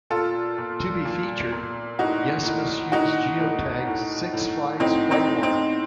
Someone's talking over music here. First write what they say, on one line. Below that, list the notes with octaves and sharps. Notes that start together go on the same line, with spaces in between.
To be featured, guests must use geotag Six Flags White Water.
A#2 F4 A4
A#2
A#2
A#2
A2 D#4 F#4
A2
A2 D#4 F#4
A2
A2
A2
A2 C4 D#4
C4 D#4
A2
C4 D#4